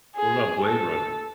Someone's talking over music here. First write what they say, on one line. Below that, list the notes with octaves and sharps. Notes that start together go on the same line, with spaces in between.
What about Blade Runner?
G#4
A4